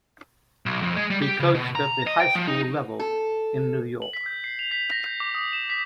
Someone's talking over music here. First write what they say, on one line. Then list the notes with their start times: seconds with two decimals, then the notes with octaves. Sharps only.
He coached at the high school level in New York.
0.66 B1
0.82 F2
0.96 G#3
1.10 G3
1.22 G4
1.40 C#3
1.54 B2
1.75 A#5
2.07 D#5
2.20 G5
2.35 F3
2.48 D#4
2.99 A4
4.02 F#7
4.13 B6
4.26 G6
4.44 C7
4.59 F7
4.71 B6
4.91 A#6
5.06 G6
5.20 D6
5.34 D#6
5.53 E7
5.70 B6